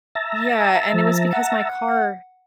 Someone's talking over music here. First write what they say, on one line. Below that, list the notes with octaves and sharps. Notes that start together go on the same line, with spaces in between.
Yeah, and it was because my car
E5 A5 A#5
F3
F#5